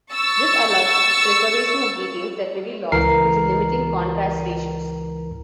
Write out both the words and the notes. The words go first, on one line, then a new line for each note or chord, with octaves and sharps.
This allows preservation of details that may be lost due to limiting contrast ratios.
C#6 E6 A6
C#2 E3 A#4 C7